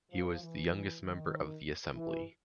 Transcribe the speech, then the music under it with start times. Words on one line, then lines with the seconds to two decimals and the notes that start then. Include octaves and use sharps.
He was the youngest member of the assembly.
0.12 F3
0.42 E3
1.03 D#3
1.93 E3